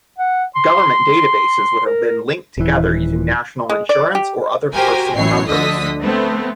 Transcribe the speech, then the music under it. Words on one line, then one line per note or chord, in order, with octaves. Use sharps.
Government databases would have been linked together using National Insurance or other personal numbers.
F#5
C6
A#4
D#1 E3
G#3
D5
G4
F#4 G4 A#4 C5 G5 G#5
A1 F#2 E4 C#5 C7
D2 D3 F3 D#5 D#6 B6
A3 B3 C4